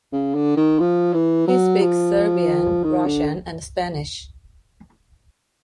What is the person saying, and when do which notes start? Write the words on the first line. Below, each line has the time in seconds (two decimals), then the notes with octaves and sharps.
He speaks Serbian, Russian, and Spanish.
0.12 C#3
0.35 D3
0.57 D#3
0.80 F3
1.14 E3
1.48 F#3
1.81 F3
2.84 D#3
3.06 D3